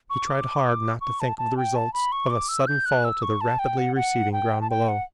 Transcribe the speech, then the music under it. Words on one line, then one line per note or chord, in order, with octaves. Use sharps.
He tried hard not to think of the results of a sudden fall to the rapidly receding ground below.
C#6
D6
C#6
A5
A5
G5
A5
B5
C#6
D6
E6
G6
F#6
E6
C#6
A5
G5
F#5
F#5
G5
A5
G5
F#5